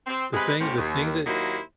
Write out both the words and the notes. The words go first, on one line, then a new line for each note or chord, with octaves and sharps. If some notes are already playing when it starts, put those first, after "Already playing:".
The thing the thing that
C4
C3 G#3 B4
D2 A2 C4 C#4 F4 G4
D#2
D#2 F#3 A#3 D#4 E4 C5